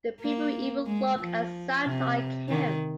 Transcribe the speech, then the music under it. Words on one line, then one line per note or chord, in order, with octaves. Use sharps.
The people even look and sound like him.
A#3
G#3
F3
C3
D#3